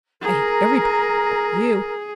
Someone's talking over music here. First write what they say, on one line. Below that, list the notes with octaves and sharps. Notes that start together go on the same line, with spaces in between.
I hate everybody--but you!
G#4 A#4